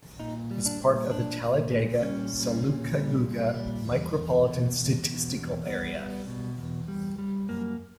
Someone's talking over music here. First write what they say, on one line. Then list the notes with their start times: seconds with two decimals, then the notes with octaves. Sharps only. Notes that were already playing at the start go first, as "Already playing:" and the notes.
It is part of the Talladega-Sylacauga Micropolitan Statistical Area.
0.20 A#2 D#4
0.51 G3
0.66 D4
0.81 A#2
1.11 A#2 D4
1.41 A#2
1.72 A#2
2.02 G3 C#4
2.33 A#2
2.63 A#2
2.93 G3
3.24 A#2
3.54 G3
3.84 E2
4.15 E2
4.45 B2
4.76 E2
5.06 B2
5.36 E2
5.66 G3 B3
5.97 G3
6.28 B2
6.57 E2
6.88 G3
7.18 G3
7.49 F#2 A#3